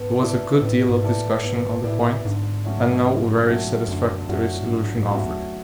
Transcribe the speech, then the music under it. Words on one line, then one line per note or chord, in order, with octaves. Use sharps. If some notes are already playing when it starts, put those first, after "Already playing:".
There was a good deal of discussion on the point and no very satisfactory solution offered.
Already playing: G#2 B3 A4
E4 A4 D5
A2 B3
G#2
E4 A4 D5
A2
G#2 B3
A2 E4 A4 D5
G#2 D3
F#3 A3 C#4 F#4
D3
F#3 A3 C#4 F#4
F#2 D3
F#2 F#3 A3 C#4 F#4
A2
G#2 D3
G#2
A2
G#2 F#3 A3 C#4 F#4
E2